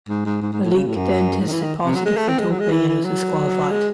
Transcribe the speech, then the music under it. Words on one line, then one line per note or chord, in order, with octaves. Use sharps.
Malik then tested positive for doping and was disqualified.
G#2
G#2
G#2
G#2
A2
C#3
A2
F#2
G#2
D#3
E3
D#3
C3
F#3
G#3
A3
C4
G#3
F#3
G#3
E3
E3
F#3
G#3